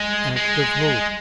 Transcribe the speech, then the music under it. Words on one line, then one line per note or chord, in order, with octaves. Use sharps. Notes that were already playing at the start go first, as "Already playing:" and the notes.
Act of Hope.
Already playing: G#3
G#3